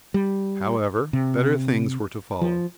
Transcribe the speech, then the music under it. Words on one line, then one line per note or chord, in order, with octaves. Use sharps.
However, better things were to follow.
G3
C3
F3